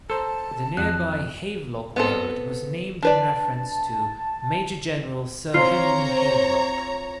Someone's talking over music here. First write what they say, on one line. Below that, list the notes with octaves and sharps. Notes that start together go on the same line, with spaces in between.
The nearby Havelock Road was named in reference to Major-General Sir Henry Havelock.
A4 C5 A5 A#5
F2 F#6
B3 C4 A4
D4 B4 D5 A5
C4 F4 C5 C#5 A#5